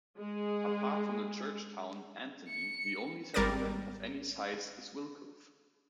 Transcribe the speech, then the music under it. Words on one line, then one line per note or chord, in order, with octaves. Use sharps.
Apart from the church town, Antony, the only settlement of any size is Wilcove.
G#3 G#4
C#7
G#1 G3 A#4 D6 A6